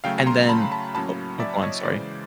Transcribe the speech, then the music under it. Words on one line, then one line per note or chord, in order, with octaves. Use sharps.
And then, o oh, go on, sorry.
C#3 F#3 A3 F5 G5
A#5 C6
A5 B5
A5 B5
A2 F#3 A#3 C#4 A5 B5
D5 E5
C#5 D#5
C#3 E3 G#3 C5 D5